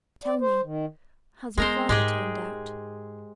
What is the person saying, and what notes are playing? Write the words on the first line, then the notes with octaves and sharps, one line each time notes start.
Tell me, has your father turned out?'
D5
C5
D#3
G#3 B3 A#4 C5
G#2 G#3 G4 G#4